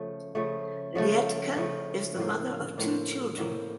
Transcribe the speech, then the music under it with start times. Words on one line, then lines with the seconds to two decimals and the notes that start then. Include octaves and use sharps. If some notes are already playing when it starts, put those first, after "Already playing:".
Liedtke is the mother of two children.
Already playing: C#3 F3 A3
0.35 C#3 F3 A3
0.95 C#3 F3 A3
1.56 C#3 F3 A3
2.17 A2 F3 A#3
2.78 A2 F3 A#3
3.38 A2 F3 A#3